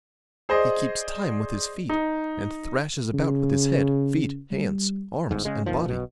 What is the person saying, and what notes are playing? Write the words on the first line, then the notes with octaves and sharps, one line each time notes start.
He keeps time with his feet, and thrashes about with his head, feet, hands, arms, and body.
G#4 C5 D5 D#5
D#4
C#3
G3
G1 G#2
C#3 G#3
F2 A#2 D#3 F3
B1 B2